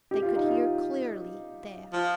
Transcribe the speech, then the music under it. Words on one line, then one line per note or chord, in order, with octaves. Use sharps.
They could hear clearly there.
G4
F4
D#4
F4
F3